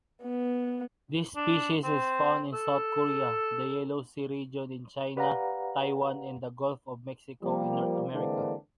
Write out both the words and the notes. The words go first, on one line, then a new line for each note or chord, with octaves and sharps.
This species is found in South Korea, the Yellow Sea region in China, Taiwan and the Gulf of Mexico in North America.
B3
D4
C4
A4
G4 B4 D5 F5 F#5 A#5
F3 G3 A#3
D3 E3 G#3 A#3 C4 D4